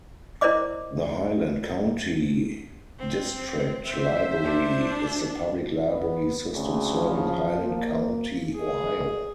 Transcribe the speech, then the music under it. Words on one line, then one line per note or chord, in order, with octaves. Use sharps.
The Highland County District Library is the public library system serving Highland County, Ohio.
E4 A#4 C5 D5 D#5 D6
C4
C5 E5
D4
B3
D2 C#3
F3
A#3
G#4